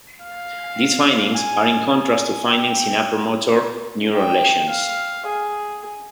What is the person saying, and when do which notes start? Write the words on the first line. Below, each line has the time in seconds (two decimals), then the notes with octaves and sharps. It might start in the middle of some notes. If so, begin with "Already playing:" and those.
These findings are in contrast to findings in upper motor neuron lesions.
0.22 F5
1.35 G#5
1.90 G#5
2.47 G5
4.14 G5
4.70 F5
5.26 G#4